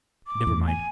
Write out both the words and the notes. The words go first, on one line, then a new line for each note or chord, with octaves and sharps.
Never mind.
D6
E2 A2
G#5